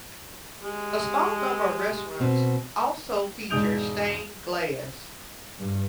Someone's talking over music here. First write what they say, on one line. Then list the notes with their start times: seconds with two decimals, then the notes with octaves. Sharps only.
A small number of restaurants also feature stained glass.
0.62 G#3 G4
2.20 B2 C4
3.50 E1 G#2 D#6 G6 D7 F7
5.59 G2